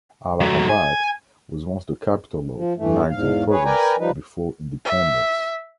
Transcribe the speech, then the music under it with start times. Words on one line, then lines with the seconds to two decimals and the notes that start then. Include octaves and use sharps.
Allahabad was once the capital of United Province before independence.
0.41 F#3 A3
0.69 G#5
2.56 F3
2.77 G2 E3 A3
3.10 E2 G#2 F5
3.50 G#4 B4 C#5
3.65 A#4 B4 D5 G5 G#5 A#5
3.98 F3 G3 D#4 B4
4.85 E5